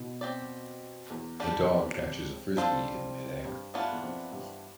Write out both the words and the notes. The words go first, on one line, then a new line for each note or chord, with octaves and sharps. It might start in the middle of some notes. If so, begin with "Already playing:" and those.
A dog catches a Frisbee in midair.
Already playing: B2
C4 G4 D5
E2
G3 D4 G4
F2
E2
F2
F2 G3 D4 F4 A4 C5
G2
E3 B3 D4 F4
E2
F2
G2